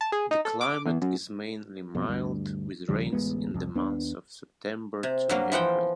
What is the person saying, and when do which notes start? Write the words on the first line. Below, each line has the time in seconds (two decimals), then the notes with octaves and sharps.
The climate is mainly mild with rains in the months of September to April.
0.01 A5
0.12 G#4
0.31 D#4
0.45 A4
0.61 D6
0.86 E2
1.02 F#2
1.95 F2 B2
2.08 D2 G2
2.89 D#2 C#3 F3 G3
3.12 D1 A1 G#3 B3
3.54 C2 F2
3.75 D#2 B3 D4
5.03 C3
5.29 G2 F#3 A#3
5.52 E3 F3 F#5 G5